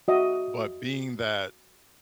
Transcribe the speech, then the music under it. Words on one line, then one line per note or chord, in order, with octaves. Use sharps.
but being that
F#4 D#5 E5